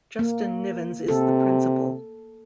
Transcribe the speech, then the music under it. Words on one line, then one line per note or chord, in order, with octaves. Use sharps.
Justin Nivens is the Principal.
A#3
C3 A4